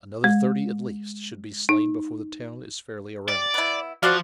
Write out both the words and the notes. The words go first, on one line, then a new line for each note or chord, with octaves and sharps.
Another thirty at least should be slain before the town is fairly aroused.
G#3
D#4
G3 D5
B3 E4
F3 F#4 C5 D5 F5